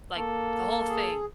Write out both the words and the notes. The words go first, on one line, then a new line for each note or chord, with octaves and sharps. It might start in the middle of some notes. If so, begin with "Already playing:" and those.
like, the whole thing,
A#3 A4
G#4